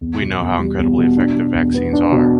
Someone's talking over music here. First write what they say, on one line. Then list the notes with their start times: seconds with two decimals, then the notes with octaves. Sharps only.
We know how incredibly effective vaccines are.
0.01 E2
0.21 B2
0.40 E2
0.59 G3
0.78 E2
0.98 B2
1.17 D4
1.36 B2
1.54 E2
1.74 B3
1.93 D4
2.12 B2